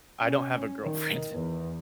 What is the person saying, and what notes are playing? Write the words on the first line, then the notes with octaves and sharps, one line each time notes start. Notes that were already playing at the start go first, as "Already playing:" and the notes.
I don't have a girlfriend.
C#4
D#3
E2